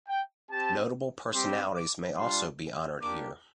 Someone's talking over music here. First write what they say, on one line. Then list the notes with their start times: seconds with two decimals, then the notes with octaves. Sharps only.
Notable personalities may also be honoured here.
0.08 G5
0.50 C4 G4 A5
1.33 G3 C4 G4 C6
1.75 D6
2.17 G3 D4 F4 C6
3.00 A#3 D4 G4 D6